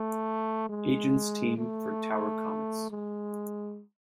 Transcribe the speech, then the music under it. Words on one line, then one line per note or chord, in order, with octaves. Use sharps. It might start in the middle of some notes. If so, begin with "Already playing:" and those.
Agents team for Tower Comics.
Already playing: A3
G#3
A3
G#3